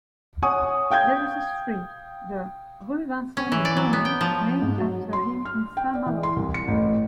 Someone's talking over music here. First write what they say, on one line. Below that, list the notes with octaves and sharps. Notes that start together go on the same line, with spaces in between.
There is a street, the "Rue Vincent-de-Gournay", named after him in Saint-Malo.
C#5 F#5 G#5 C#6 D#6
F5 G5 G6 G#6
C#4
E3
D5
F#3
B3
G5
F3
G#2
F#3
C6
F6
G5
D5
E3
C6
C2
C#7
A1